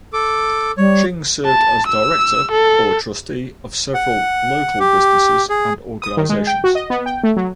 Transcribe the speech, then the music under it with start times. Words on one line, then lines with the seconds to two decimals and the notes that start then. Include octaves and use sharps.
Ching served as director or trustee of several local businesses and organizations.
0.13 A4 D6
0.78 G3 C#5
1.46 A5
1.87 E6
2.52 A4
3.94 F#5
4.80 G4
5.49 G#4
6.02 D#6
6.17 D#3
6.29 G#3
6.47 G5
6.64 F#4
6.75 D#5
6.90 B3
7.06 G5
7.24 A3
7.37 F#3